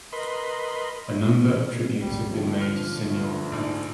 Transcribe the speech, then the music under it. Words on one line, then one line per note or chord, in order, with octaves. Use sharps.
A number of tributes have been made to Senior.
A#4 B4 D#5 B5 C6
G#1 D2 G3
A2 D3 F3
F6
D2
A#1 G#2